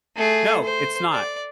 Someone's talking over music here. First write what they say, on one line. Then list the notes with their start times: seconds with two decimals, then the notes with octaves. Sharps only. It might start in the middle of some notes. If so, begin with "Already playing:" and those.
No, it's not.
0.16 A3 G#4
0.63 C5
1.13 D5